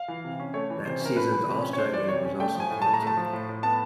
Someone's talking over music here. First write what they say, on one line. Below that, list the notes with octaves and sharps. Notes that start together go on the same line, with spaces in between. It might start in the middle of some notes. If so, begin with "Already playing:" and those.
That season's All-Star Game was also canceled.
Already playing: F5
E3
C3
C#4
A3 C#5
E3
C3 C5
C#4 A#4
A3 B4
E3
C3
C#4
C#5
A3 C5
E3 D5
C3 C#5
C#4
A3 G5
F3 G#5
A2
A2 A5
A#5
A3 A5
F3
A2
A2
B3 A5